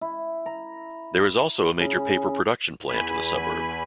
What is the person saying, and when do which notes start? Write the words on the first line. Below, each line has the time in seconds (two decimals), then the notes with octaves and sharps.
There is also a major paper production plant in the suburb.
0.01 E4
0.46 A#5
1.80 C#3
2.89 E2 G#5 B5